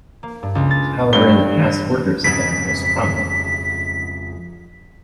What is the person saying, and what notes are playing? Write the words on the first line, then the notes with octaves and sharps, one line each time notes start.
However, in the past wardrobes have been the most prominent.
A#3
G2
C#2
A6
G2 G7
F2 G#2 C#3 B6